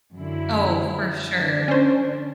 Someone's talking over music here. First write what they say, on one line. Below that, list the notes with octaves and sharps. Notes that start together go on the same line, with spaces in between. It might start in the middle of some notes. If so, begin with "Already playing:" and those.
Oh, for sure.
F#2 D3 E4
D3 D4
C#4 C5